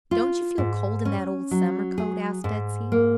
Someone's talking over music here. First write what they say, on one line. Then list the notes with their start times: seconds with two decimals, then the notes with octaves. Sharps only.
"Don't you feel cold in that old summer coat?" asked Betsey.
0.11 F4
0.58 G#2
1.05 C#4
1.51 F#3
1.98 G#4
2.44 G#2
2.92 A#3